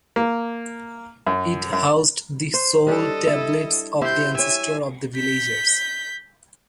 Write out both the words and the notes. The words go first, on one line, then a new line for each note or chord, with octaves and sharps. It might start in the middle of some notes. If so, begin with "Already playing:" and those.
It housed the soul tablets of the ancestors of the villagers.
A#3
F#2
F#2
C5
G3 D4 G4 A4 D#5
E4
E4 G4 C5 C6 G6
C#5 E5 G5 G#5
G6 B6